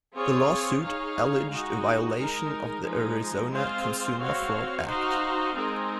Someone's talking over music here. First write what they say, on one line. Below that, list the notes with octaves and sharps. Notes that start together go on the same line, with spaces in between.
The lawsuit alleged a violation of the Arizona Consumer Fraud Act.
C4 F4 G#4 C#5
D#4 G#4 C#5 F5
G#3 D#4 F#4
G#3 D#4 A#4
F3 G#3 D#4
G#3 C4 F4 C5 F5
C4 F#4 C#5 F5
D#4 F#4 C5 F5
G#3 C4 D#4 A#4